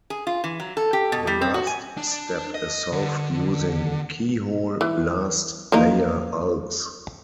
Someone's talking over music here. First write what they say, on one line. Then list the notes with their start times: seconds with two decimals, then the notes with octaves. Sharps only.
The last step is solved using Keyhole last layer algs.
0.10 G#4
0.27 F4
0.44 E3
0.60 F#3
0.77 A4
0.93 G4
1.12 B2
1.27 G3
1.41 C4
1.54 F#4
1.67 G#5
1.98 D4
2.54 D#5
2.92 D3
4.81 E3
5.72 F3 A#3 D#4